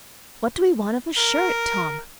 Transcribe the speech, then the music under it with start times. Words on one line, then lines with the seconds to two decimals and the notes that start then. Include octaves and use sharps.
"What do we want of a shirt, Tom?"
1.18 A#4